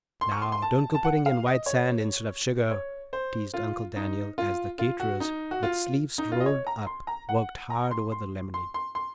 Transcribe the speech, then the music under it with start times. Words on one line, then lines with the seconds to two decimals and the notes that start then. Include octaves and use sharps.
"Now, don't go putting in white sand instead of sugar," teased Uncle Daniel, as the "caterers," with sleeves rolled up, worked hard over the lemonade.
0.21 C6
0.32 C#6
0.42 C6
0.52 C6
0.62 A5
0.95 A5
1.04 F#5
1.26 F5
1.46 D#5
1.66 C#5
2.71 C#5
3.13 C5
3.54 F4
3.96 D#4
4.38 F4
4.79 F4
5.00 F#4
5.20 D#4
5.51 F#4
5.63 F4
6.18 D#4
6.32 F4
6.40 D#5
6.46 C#5
6.67 A#5
6.87 C6
7.07 A#5
7.29 F#5
7.70 A#5
7.91 C6
8.12 C6
8.54 C6
8.74 C6
8.95 C6